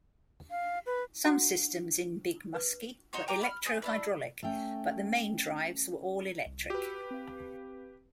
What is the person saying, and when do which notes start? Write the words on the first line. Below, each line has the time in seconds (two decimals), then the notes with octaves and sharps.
Some systems in Big Muskie were electro-hydraulic, but the main drives were all electric.
0.51 F5
0.86 B4
1.25 D4 F#4 F#5
2.55 B4
3.13 D#4 F#4 C5 C#5
3.28 G5 A#5 D6
3.41 B5 D6 F6
3.65 G#4 C5
3.82 D4 E4 B4
4.43 A3 C#4 G5
6.46 C2
6.70 F#4 G4 B4 E6
7.11 C4 F5